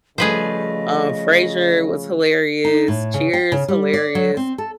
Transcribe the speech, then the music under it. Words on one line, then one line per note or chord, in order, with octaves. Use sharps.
um, Frasier was hilarious. Cheers, hilarious.
C#3 F3 G3 A3 G#4 B4 C5 D#5
D#4
A2
C#3
G5
C#3
G3
D5
F#3
C4
A4